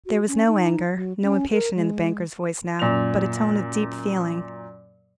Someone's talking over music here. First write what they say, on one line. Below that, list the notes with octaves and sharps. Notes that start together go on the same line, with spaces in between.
There was no anger, no impatience in the banker's voice now, but a tone of deep feeling.
F#4
C#4
D#4
F#3
C#4
A#4
G#3
F#2 A#2 F7